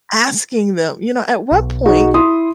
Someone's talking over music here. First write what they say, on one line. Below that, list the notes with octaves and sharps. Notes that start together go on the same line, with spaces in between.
asking them, you know, "At what point
B1
D#4 F#4 G#4
E4 C6 D#6